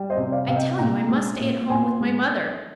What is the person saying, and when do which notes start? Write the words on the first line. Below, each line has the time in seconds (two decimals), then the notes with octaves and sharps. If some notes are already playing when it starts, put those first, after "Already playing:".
I tell you, I must stay at home with my mother.
Already playing: G3
0.10 C5 D#5
0.17 C3
0.32 D5 F5
0.48 C3 F5
0.56 D#5 G5
0.78 A#2 G5 A#5
1.08 G#3
1.39 A#2
1.70 A#2 G#5 C6
2.01 G#3